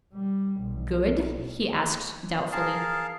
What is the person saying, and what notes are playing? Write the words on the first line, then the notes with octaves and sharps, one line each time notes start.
'Good?' he asked doubtfully.
G3
B1
G#4 A#4 F5 A5